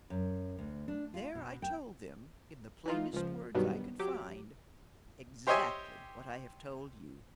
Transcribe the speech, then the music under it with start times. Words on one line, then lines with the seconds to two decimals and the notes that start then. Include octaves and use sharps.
There I told them, in the plainest words I could find, exactly what I have told you.
0.10 F#2
0.59 D2
0.88 D4
1.14 F4
1.35 B2
1.62 G5
2.86 E3 D#4 F4
3.13 C#2 F3
3.54 G2 B2 D#3 F#3 G3 B3
3.99 F#3 G4 D6
5.47 G4 C5 C#5 D#5 E5 G#5